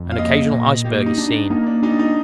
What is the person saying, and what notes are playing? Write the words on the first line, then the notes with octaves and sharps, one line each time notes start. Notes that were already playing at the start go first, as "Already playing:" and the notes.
An occasional iceberg is seen.
Already playing: F2
F5
A#3 D#5
A#2
A#3 G4
D#4
D4
D#4
A#3 D#4
D4
D4 D#4
D#4